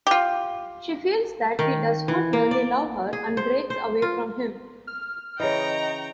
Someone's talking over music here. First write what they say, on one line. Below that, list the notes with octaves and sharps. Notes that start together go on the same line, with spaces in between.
She feels that he does not really love her and breaks away from him.
F4 G4
D#3
E3
A#3
D5
G#4
C5
C5
F4
F6
C#3 E3 D#5 G5 A#5 C#6